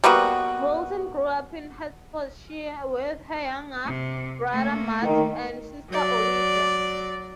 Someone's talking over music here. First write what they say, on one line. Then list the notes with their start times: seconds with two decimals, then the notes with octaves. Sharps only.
Wilson grew up in Hertfordshire with her younger brother Matt, and sister, Olivia.
0.04 G3 A#3 B3 F#4
3.85 C3
4.52 A3 A#3
5.03 D#3
5.90 F#3 D5